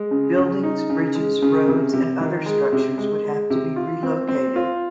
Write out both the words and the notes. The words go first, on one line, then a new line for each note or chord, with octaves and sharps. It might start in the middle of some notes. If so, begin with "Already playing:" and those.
Buildings, bridges, roads and other structures would have to be relocated.
Already playing: G#3
C#3
C#3
D#4
C#3
G#3
C#3
C3
C3
D#3
G#3
C3
G#3
G#3
C3
F4
C4
C4
F4